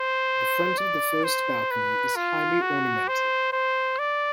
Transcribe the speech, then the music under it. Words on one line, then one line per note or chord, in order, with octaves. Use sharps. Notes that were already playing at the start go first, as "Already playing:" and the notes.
The front of the first balcony is highly ornamented.
Already playing: C5
D5
C5
B4
F4
F#4
C5
C5
D5